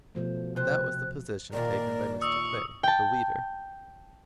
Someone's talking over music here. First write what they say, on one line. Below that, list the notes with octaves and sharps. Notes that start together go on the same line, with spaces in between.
That was the position taken by Mr. Clay, the leader.
B2 F3 A3 C5
C3 C5 F#6
D#2 A#2 A#4 D5
C#6 D#6 E6
G5 A5